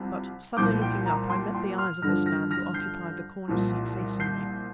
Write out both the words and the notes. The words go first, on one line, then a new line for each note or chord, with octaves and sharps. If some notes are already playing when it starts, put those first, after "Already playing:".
But, suddenly looking up, I met the eyes of this man who occupied the corner seat facing me.
Already playing: C2 C3 F3
C2 A#2 F3 D6 G6
G5
A#5
G5 C6
G5 C6
C6 F6
G2 D3 F3 F6 A#6
F6 A#6
F6 A#6
G6 C7
C2 A#2 F3
G6 C7